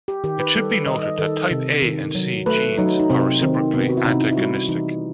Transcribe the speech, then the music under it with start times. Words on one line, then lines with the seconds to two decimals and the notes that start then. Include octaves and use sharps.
It should be noted that type A and C genes are reciprocally antagonistic.
0.08 G4
0.24 D#3 G4
0.39 B4
0.55 G3 A4
0.71 B4
0.87 D#3 D#5
1.03 D#5
1.19 D#3 A4
1.51 C3
1.82 D#3
2.15 F#3
2.46 A3 B4
2.78 F#3 D#4
3.00 D#4
3.10 C3 C4
3.41 D#3 C4
3.74 C3 B3
3.89 F#4
3.97 E4
4.05 C3 D#4
4.22 E4
4.32 E4
4.37 G3 F#4
4.69 E3 D#4